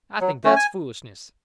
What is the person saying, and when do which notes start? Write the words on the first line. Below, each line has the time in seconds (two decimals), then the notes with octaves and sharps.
I think that's foolishness.
0.21 F#3
0.44 A3 C#4
0.56 G#5